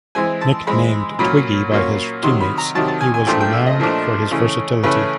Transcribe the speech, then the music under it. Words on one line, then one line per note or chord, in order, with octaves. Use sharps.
Nicknamed "Twiggy" by his teammates, he was renowned for his versatility.
E3 G#3 C4 G#5
A5
E3 G#3 C4 B5
A#2 F#3 A#3 C#4 B5
A#2 F#3 A#3 C#4
C3 D#3 F#3 C6
B5
A#5
C3 D#3 F#3 A5
A5
G#5
G#5
A#2 F3 A3 D4 G5
G5
E5
D#5
A#2 F3 A3 D4
C#3 E3 A3 C#4
C#3 E3 A3 C#4 B4